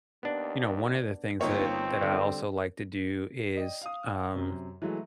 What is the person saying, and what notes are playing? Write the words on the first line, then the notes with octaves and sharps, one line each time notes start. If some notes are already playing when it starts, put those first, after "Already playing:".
you know, one of the things that that I also like to do is, um,
D#2 B3 D4
G1 A#3 C4 D#4 C#5
D3 G3
D5 D#5 G5
F5 D#6
F#2 C3
E3 F#3 G#3 A3